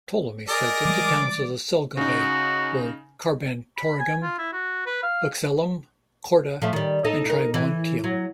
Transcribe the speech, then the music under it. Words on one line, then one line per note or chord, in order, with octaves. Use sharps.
Ptolemy said that the towns of the Selgovae were "Carbantorigum", "Uxellum", "Corda", and "Trimontium".
G#4 A#4 D5 D#5
E3 G3 G#3 D6
C#3 D#4 F#4
B5
G#5
F4
E4
F#4
B4
F5
F3 A3 E5
D#3 G3
D#4 A4 D#5
D#4 A#4
E3
F#3